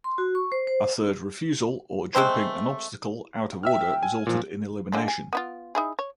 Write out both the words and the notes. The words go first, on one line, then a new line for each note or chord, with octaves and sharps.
A third refusal or jumping an obstacle out of order resulted in elimination.
C6
F#4
C#6
C5
C5
C5
G#3 A3 C4 C5
E5 G5 E6 F6
G#5
A#2 F3
D3 G#3 A#3
G#5
B3 E4 F4
D#4 E4 G#4
C#5